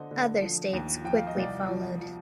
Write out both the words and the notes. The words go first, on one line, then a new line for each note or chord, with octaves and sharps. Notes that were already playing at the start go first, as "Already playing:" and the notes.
Other states quickly followed.
Already playing: D3 C5 D#5
D3
F3
D#2
F3 G5
F5
D#5
C2 D5 F5
F3
F3